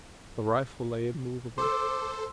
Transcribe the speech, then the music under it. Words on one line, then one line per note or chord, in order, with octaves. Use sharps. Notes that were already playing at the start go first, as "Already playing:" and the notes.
The rifle lay immovable.
A4 C5 C6 D6 E6